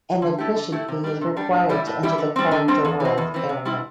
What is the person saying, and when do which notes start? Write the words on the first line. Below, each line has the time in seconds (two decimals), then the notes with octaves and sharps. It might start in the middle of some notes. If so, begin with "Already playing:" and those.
An admission fee is required to enter the Character World area.
0.22 D3
0.38 A3 E4 G4
0.56 D3
0.72 A3 E4 G4
0.88 C3
1.04 G3 D4 G4
1.21 C3
1.37 G3 D4 G4
1.54 A2
1.69 E3 G3 E4 G4
1.87 A2
2.03 E3 G3 E4 G4
2.18 D3
2.36 G3 C4
2.51 D3
2.68 G3 C4
2.85 E2
3.00 E3 C4
3.18 E2
3.34 E3 C4
3.49 C3
3.65 G3 C4 E4